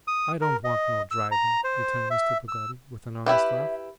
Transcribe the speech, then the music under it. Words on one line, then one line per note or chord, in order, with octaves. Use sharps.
I don't want no driving,' returned Mr. Peggotty with an honest laugh.
D#6
A#4
D#5
E6
A#5
C5
E5
E6
E4 G4 B4 E5